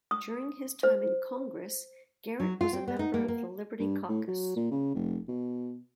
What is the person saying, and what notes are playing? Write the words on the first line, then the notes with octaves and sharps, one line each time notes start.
During his time in Congress, Garrett was a member of the Liberty Caucus.
D#6
C5
F#3
F4
C4
B3
D#4
A#3
A#3
G2
A2
F#3
A#2
C#3
F1
B2